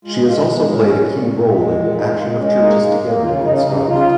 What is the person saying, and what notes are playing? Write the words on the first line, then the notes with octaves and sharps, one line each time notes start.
She has also played a key role in Action of Churches Together in Scotland.
G#3 F4
G#3 F4
G#3 D#4
A#2 C#4
A#2
A#2
A#2
G#3
A#2
G#3 D#4
G#3 F4
G#3 C#4
A#3 D#4
A#3
A#3
C#3 F4
C#3 D#4
C#3 D#4
D#4
C#3 F4